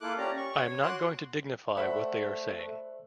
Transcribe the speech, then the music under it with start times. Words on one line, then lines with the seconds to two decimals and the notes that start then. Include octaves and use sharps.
I am not going to dignify what they are saying.
0.01 A#3 E4 F4 A4 D6 F#6
0.18 C#4 G4 D5 A#5
0.37 C#6
0.58 C#5
0.83 F#4 C6 D6 F#6
1.77 A3 C5 D5 E5 F#5 B5